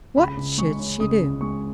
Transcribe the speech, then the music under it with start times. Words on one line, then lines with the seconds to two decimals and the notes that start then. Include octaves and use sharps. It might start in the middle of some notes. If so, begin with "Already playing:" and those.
What should she do?
0.17 C#2 B5
0.37 C#2
0.58 G#3 C#6
0.79 C#3
1.00 C#2 D#6
1.21 C#2
1.41 G#3 C#6